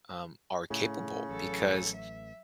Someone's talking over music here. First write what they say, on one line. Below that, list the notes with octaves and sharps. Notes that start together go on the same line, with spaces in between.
um, are capable because,
A2 C#3
A1 F#3 A4
E5